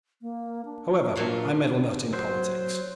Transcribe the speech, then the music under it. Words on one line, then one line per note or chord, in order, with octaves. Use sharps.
However, I meddle not in politics.
A#3
D4
A#2 F#3 F4
F#3 C5